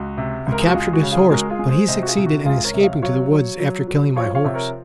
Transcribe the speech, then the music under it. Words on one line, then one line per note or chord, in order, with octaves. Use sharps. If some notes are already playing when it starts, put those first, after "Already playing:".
We captured his horse, but he succeeded in escaping to the woods, after killing my horse.
Already playing: C#2 F#4
C3
C#2
A#4
G#4
F#4
G#3 F4
F#4
C#3
F4 G#4
G#3 F#4 A#4
F4 G#4
G#3
G#4 C5
C3 C5 D#5
F#4
F4 G#4
C3
F#4
C#2 F4 G#4
A#4 C#5
C3
D#5
C#5 F5
F#3 C#5 F5
F#3
F#3
F#3
F3 C#5 F5
C#5 F5
C3
A#4 C#5